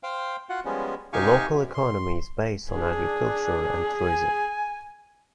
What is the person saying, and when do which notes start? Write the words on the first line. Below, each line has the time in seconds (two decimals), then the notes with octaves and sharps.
The local economy is based on agriculture and tourism.
0.03 C5 F5 G5
0.49 F4 F#4 F#5
0.65 F3 G3 G#3 B3 C#4
1.13 C3 D#4 G4 F5 G#5 C#6
1.47 F#2
1.74 C6
2.71 D4 G#4
3.95 G#5